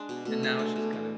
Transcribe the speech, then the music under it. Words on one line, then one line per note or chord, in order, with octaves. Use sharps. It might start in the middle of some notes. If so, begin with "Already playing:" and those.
and now she's kind of
Already playing: G#3 D4
B2
B2 A3
G#3
D4
B2
E3